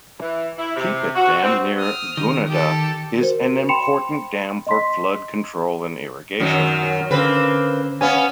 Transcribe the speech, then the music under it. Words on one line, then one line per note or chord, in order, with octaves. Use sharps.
Keepit Dam near Gunnedah is an important dam for flood control and irrigation.
E3
E4
C3
F#4
C4
D#6 F6
D#3
G4 A4
F#4 A#4 C5
G5 B5 C6 C#7 E7 F7
D#5 C6 B6
F#2 D#3 F#3
D3 A#3 C4 C#4 B4
B3 C#4 F5 G#5